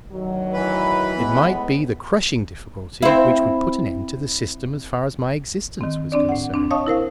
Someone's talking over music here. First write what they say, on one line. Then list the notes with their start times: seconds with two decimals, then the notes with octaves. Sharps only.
It might be the crushing difficulty which would put an end to the system as far as my existence was concerned.
0.12 D2 D#3 F#3
0.53 E3 B4
1.17 A2 G#3 B3
3.02 C4 E4
5.81 D#3 C4
6.12 C4 D4 D5
6.29 A2 F#5
6.54 C4 D4
6.71 C#5 D#5 F5 A5 C#6 D#6
6.87 E4 A#4 C5 F5